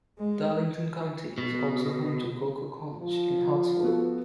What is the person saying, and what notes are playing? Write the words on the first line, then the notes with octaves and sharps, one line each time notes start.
Darlington County is also home to Coker College in Hartsville.
G#3
B2
F3
B3 F#4 A4